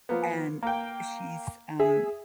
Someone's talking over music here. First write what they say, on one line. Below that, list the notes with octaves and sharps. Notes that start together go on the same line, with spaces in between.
and she's, um,
F3 A#3 B3
A#3 G5
G#4 E5